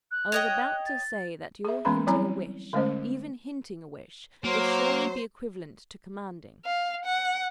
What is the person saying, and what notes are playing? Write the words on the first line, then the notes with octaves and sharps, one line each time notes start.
I was about to say that your hinting a wish, even hinting a wish, would surely be equivalent to commanding.'
F#6
C#5 D#5 G5
A6
G#4 E5
E3 G#3 B3 C#4 A#5 B5
F#3 G3 C4 E4 C#5 A#5
D3 G#3 A3 C#4 C5 D#5
F#3 A#3 C5
F5
F#5